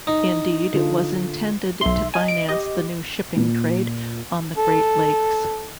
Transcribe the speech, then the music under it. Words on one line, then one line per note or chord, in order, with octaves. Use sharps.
Indeed, it was intended to finance the new shipping trade on the Great Lakes.
D#4
D3 F4 A4
B1 E5 C6
D#5 G#5
D7
G4 D#5
A#2
A4